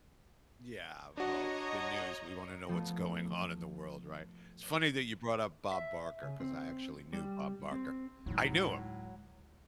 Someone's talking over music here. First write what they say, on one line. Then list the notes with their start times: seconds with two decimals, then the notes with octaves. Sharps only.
Yeah, well, the news, we wanna know what's going on in the world, right? It's funny that you brought up Bob Barker, 'cause I actually knew Bob Barker. I knew him.
1.17 D4 F#4 C#5 D#5 A#5
2.69 F3 A3 B3
5.72 E5
6.23 C#3
6.40 C4
7.13 G3
7.72 C4
8.26 D2 A2 F#3 G#3 D#4